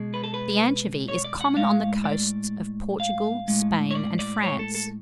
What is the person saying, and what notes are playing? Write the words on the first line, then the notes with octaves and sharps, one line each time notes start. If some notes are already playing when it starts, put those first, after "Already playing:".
The anchovy is common on the coasts of Portugal, Spain, and France.
Already playing: B2 G#3
B4
A4
B4
C#5
D5
F#5
A2 G#3 F5
D5
F5
A2 G#3
C#5
D5
D5
C#5
A4
A4